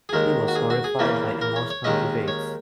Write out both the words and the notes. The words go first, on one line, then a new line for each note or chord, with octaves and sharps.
He was horrified by emotional debates.
G#4
D#2 D#3 G#3 A#4
F#4
G#4
F#4
G#4
E2 C#3 E3 A#3 C#4
A#4
C#5
C#5
D#2 D#3 G#3 C#4 D#5
C#5